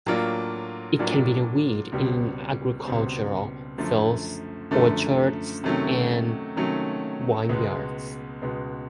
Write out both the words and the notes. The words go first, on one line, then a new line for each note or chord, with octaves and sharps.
It can be a weed in agricultural fields, orchards, and vineyards.
A2 F#3 A#3 D4 F4
A2 F#3 A#3 D4 F4
C#2 B2 G3 C4
C#2 B2 G3 C4
F#2 D3 F3 A3
F#2 D3 F3 A3
C3 D#3 F#3 A3 C#4
C3 D#3 F#3 A3 C#4
C#2 B2 G#3 B3
C#2 B2 G#3 B3